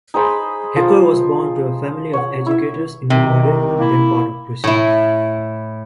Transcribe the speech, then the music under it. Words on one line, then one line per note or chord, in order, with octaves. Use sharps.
Hecker was born to a family of educators in Werden, then part of Prussia.
D#4 G#4 C5 B5
F3
C#5 F#5
E4 E5
C2 C3 D#3
A#3 E4
A2 E4